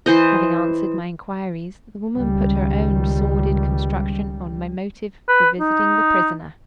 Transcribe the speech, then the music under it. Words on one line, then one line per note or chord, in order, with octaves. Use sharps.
Having answered my inquiries, the woman put her own sordid construction on my motive for visiting the prisoner.
E3 C5 D#5
C#2 D#3 G3
B4
D#4